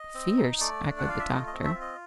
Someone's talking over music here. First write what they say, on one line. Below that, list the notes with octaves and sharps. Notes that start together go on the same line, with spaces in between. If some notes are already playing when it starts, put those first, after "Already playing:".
"Fierce!" echoed the doctor.
Already playing: D#5
C4
D#4
A3 D5
D4
F#5
F4 F5
E5
A3 D#5
D#5
C4
E5
F4
D#5